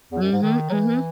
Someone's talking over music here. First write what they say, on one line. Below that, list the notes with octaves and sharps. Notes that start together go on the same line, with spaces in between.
Mhm, mhm.
E2
F#2
G#2
D#3
F#3
E3